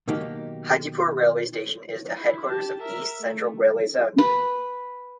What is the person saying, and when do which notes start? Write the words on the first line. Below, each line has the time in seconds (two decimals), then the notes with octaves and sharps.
Hajipur railway station is the headquarters of East Central Railway Zone.
0.07 B2 D#3 F#3 A#3 D#4 G4
2.14 E4
2.49 G4 A5
2.82 A#4 E5
3.20 A3
4.18 B4